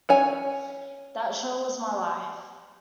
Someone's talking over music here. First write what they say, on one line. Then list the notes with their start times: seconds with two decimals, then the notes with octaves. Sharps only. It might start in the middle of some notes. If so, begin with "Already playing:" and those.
That show was my life.
0.09 C#4 C#5 G#5